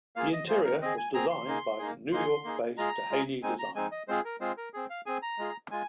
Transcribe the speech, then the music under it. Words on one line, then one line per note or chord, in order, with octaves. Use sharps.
The interior wasdesigned by New York-based Tihany Design.
A#3 F4 G#4 F5
D#5
A#3 F4 G#4 C5
A#4
C4 G#4 D#5
G#5
C4 G#4 A#5
C6
A#3 D#4 G#4
A#3 D#4 G#4
A#3 D#4 G#4 C6
A#3 D#4 G#4
G#3 F4 G#4 A#5
G#3 F4 G#4
G#3 C4 D#4 G#5
A#5
G#3 C4 D#4 G#5
D#5
G#3 C4 F4 G#4 C5
A#4
G#3 C4 F4 G#4 C5
A#4
C4 G#4
F5
C4 G#4 G#5
A#5
G#3 F4 G#4
G#3 F4 G#5